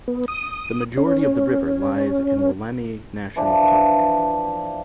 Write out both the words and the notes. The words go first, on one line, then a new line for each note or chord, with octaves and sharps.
The majority of the river lies in Wollemi National Park.
B3
D#6
C#4
E3 F3 D4 B4